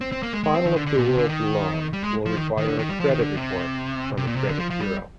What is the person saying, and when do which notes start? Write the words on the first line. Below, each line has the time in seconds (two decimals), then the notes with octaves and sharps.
Final approval of the loan will require a credit report from a credit bureau.
0.01 C4
0.12 C4
0.23 A#3
0.33 G#3
0.44 G#3
0.55 C4
0.65 D#3
0.76 D3
0.86 D3
0.97 A#2
1.08 C3
1.18 D3
1.29 D#3
1.93 G3
2.04 G#3
2.26 F3
2.36 D#3
2.57 D#3
2.68 D3
2.79 D#3
2.89 G3
3.00 F3
3.10 D#3
3.21 D3
3.37 C3
4.17 C3
4.27 A#2
4.36 C3
4.49 D3
4.60 F3
4.70 F3
4.81 G3